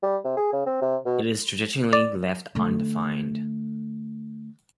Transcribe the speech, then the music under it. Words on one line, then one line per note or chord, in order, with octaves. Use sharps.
It is traditionally left undefined.
G3
C3
G#4
C#3
C4
C3
B2
D5
D3 A3